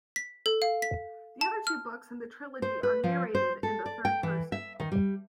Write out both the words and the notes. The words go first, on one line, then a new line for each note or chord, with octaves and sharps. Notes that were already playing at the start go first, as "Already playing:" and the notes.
The other two books in the trilogy are narrated in the third person.
B6
A4
F5
B6
A5
F6
C5
B4
F3
C5
A4
D5
G5
E3
E5
D#3
G3